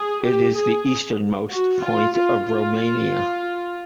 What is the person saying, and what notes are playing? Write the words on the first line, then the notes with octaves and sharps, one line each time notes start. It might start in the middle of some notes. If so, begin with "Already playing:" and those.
It is the easternmost point of Romania.
Already playing: G#4
G4
G#4
F#4
F4
F4
F4